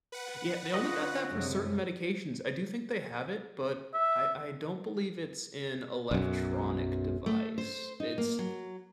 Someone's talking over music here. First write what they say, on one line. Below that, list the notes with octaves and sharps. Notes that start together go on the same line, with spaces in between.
Yeah, they only got that for certain medications. I do think they have it, but I I don't believe it's an electronic device. It's th
B4 F#5
D3 C#4 F4 F#4 D#5
F#2 C3 G#3
E5
B1 F#2
A3
C5
D#4
A#3
F#3